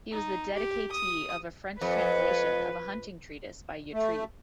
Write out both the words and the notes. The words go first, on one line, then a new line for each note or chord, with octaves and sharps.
He was the dedicatee of a French translation of a hunting treatise by Yatrib.
D#4
G4
D#6
F2 B4
A3